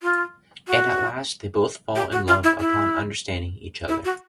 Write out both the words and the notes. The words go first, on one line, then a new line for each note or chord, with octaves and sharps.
And at last they both fall in love upon understanding each other.
F4
F#4
G4
F#4
F4
E4
E4
E4
F#4